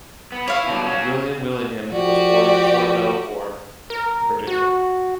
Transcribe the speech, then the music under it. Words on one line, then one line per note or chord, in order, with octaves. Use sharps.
William Willingham was born in Fort Belvoir, Virginia.
B3
E4 C#5 F5
B2 D3 G3
C#4 F#4
F3 F#4 G4 D5
A#4
F#4